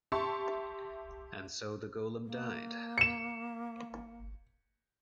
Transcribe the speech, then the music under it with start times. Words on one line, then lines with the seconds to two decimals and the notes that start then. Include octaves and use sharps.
And so the golem died.
0.12 G4 E5 A5 C6 C#6
2.26 A#3
2.98 C#7 E7